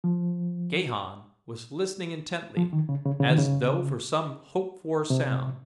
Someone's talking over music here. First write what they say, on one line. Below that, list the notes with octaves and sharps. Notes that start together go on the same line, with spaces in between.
Gahan was listening intently, as though for some hoped-for sound.
F3
F3
D#3
C#3
C#3
C#3
D#3
C#3
C3